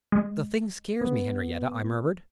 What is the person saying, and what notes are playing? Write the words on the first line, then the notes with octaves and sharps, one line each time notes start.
"The thing scares me, Henriette," I murmured.
G#3
B3